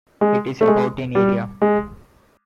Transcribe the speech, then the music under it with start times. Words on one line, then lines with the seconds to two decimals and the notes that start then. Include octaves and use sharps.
It is about in area.
0.21 G#3
0.61 A3
0.68 G#3
1.15 G3
1.62 G#3